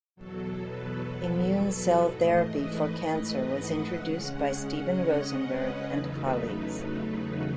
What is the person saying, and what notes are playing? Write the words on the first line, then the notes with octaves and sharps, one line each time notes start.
Immune cell therapy for cancer was introduced by Steven Rosenberg and colleagues.
E2 B2 F#3 A4
B4
G#2 E3 A3 D#5
B4
F#5
C#3 G#3 C#4
F#5
D#5
B4
E2 C#3 F#3 A3 D#4 B4
B4